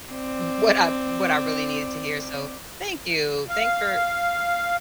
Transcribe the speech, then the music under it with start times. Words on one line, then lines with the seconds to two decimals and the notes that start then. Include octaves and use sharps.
w what I what I really needed to hear. So, thank you. Thanks for
0.10 C4 D5
3.49 F5